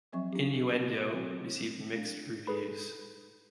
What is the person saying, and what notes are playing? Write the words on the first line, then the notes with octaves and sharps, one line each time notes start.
"Innuendo" received mixed reviews.
F3 F#3 C4 E5 C#6
D4 G4
F#4
F#3 C4 E4
A3 D4
G#4 A4 B4 B5